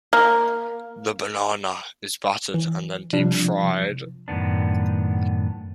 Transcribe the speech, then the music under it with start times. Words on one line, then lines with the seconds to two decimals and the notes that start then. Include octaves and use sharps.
The banana is battered and then deep fried.
0.13 A#3
2.54 E3
3.13 C3 F3 G3 D4
4.28 F#2 A2 D#3 B3 D4